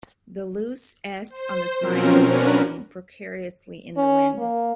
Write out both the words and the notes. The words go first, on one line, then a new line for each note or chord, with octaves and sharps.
The loose S on the sign swung precariously in the wind.
C5
B2 F3 F#3 C4 C#4 A#4
C#4 D4 F#4 A#4 B4
C#4
A#3